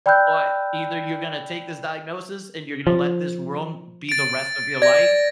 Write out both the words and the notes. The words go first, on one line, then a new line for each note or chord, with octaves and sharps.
But either you're gonna take this diagnosis and you're gonna let this room be the rest of your life,
D5 G5 B5 E6 F#6 G6
F3
A6 D7
D5 G#6 A#6